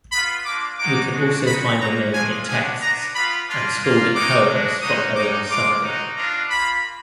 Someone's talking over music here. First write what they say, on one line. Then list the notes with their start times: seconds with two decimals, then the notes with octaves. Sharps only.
We can also find the name in texts and scaldic poems from Olav's saga.
0.12 B3 F4 B5
0.46 A#3 D4 F4 D6
0.79 G#3 D#4 F#4 D6
1.13 G#3 D4 F#4
1.46 G#3 D#4 F#4 B5
1.80 A#3 D#4 F#4 A#5
2.14 G#3 D4 F4 G#5
2.47 G#3 D4 F#4 G#5
2.81 B3 D4 F#4 A#5
3.15 B3 F4 B5
3.49 A#3 D4 F4
3.82 A#3 F4
4.15 G#3 D#4 F#4 D6
4.49 G#3 D4 F#4
4.82 A#3 D#4 F#4 D#6
5.16 G#3 D#4 F#4 D6
5.49 G#3 D4 F4 D6
5.83 A#3 D#4 F#4
6.16 B3 D4 F4 A#5
6.51 A#3 F4 B5